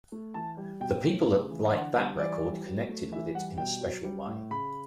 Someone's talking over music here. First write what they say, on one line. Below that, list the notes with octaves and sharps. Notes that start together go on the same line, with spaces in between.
The people that liked that record connected with it in a special way.
A3
E3 A5
G3
B2 G5
A3
C#3
E3
D3 F#5
G3
E3 D5
G3
F#3
A3
E3 E5
G3 F#5
B2 G5
F#3
G3
A2
C#3 B5